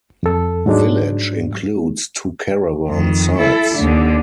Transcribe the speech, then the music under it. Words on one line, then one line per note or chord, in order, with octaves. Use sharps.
Village includes two caravan sites.
F2 A4
G#2 F#3 G#3 D4
F2 D#3
E4 A4
D#2 D3